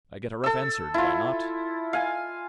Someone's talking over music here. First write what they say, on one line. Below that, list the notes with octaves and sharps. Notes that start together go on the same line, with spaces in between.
I get a rough answer, do I not?
A4 E6
E4 F4
F5 G#5